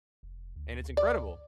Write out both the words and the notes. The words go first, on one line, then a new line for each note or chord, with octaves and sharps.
And it's incredible.
F1
D2
D5